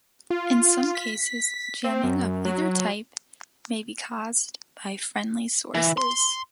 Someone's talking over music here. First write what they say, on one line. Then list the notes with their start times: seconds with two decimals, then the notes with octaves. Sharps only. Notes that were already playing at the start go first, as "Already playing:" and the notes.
In some cases, jamming of either type may be caused by friendly sources.
0.30 F4
0.95 B6
1.84 C4
2.03 F#2
2.45 F#3
5.75 E3
5.98 C6